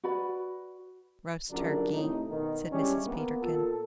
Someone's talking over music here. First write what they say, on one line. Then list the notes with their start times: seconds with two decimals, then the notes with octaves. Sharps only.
"Roast turkey," said Mrs. Peterkin.
0.04 F#4 B4 D5 B5
1.50 A#1 F#2 D3 D#3 D4 A#4
1.93 A2 C3 D#4
2.29 B2 D#3
2.72 G3 G#3 C#4 D4 E4 G4
3.06 A#3 B3
3.42 A#2 A4